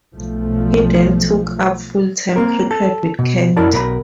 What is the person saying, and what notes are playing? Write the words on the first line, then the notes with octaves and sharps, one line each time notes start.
He then took up full-time cricket with Kent.
B1 F3 A3
A#3 C4 A#4
A4
B2
F#2 E4 A#4 D5 A5
B1 A#4 D#5 B5